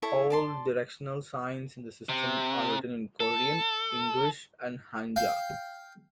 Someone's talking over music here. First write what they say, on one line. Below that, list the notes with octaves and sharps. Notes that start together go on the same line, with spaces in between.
All directional signs in the system are written in Korean, English and Hanja.
E4 A4 C#5
D5 A5 C6
C3
A4
F5 G5